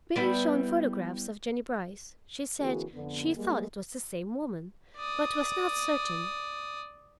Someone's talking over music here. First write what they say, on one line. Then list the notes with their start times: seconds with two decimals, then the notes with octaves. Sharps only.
Being shown photographs of Jennie Brice, she said she thought it was the same woman, but was not certain.
0.16 G3 B3 E4
2.60 D3 E3 A#3 C4 F#4 G#4
2.93 F2 D3 B3
3.35 G3 G#3 A#3
4.97 D5 D#6